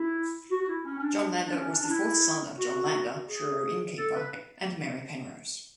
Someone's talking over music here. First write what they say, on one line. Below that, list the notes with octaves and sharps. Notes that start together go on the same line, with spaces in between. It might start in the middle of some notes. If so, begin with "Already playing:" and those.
John Lander was the fourth son of John Lander, Truro innkeeper and Mary Penrose.
Already playing: E4
F#4
F#4
E4
C#4
C#4
D4
D4
C#4
D4
D4
E4
F#4
G#4
A4
B4